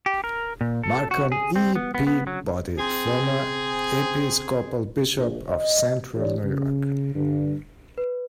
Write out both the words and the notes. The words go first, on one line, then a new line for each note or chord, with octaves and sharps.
Malcolm E. Peabody, former Episcopal Bishop of Central New York.
G4
A#4
A#2
A4
F#4
G#4
C4
B3
B3
B3
F#3
C4 G#4
A#1
D#5
E3 D4 G4 C#5 D5
C#3
G2 D3
B4